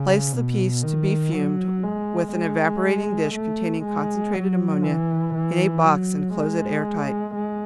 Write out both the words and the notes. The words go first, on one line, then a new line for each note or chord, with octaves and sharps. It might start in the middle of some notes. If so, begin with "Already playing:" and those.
Place the piece to be fumed, with an evaporating dish containing concentrated ammonia, in a box, and close it airtight.
Already playing: C#3
B2
D#3
F#3
G#3
G#3
A3
G#3
F#3
E3
E3
F#3
G#3
G#3